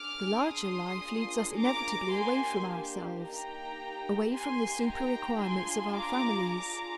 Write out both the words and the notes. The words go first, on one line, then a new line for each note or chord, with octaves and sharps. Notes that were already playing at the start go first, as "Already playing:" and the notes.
The larger life leads us inevitably away from ourselves, away from the super-requirements of our families.
Already playing: D4 G#4 D6 F6
C6 D#6
A#3 D4 F4 G#4
A#5 D6
A#3 D4 G4 G#5 C6
A#3 D#4 G4 G5 A#5
A#3 D#4 G4 G#5 C6
G5 A#5
D4 F4 G#4 G#5 C6
A#5 D6
D4 F4 G#4 A#5 D6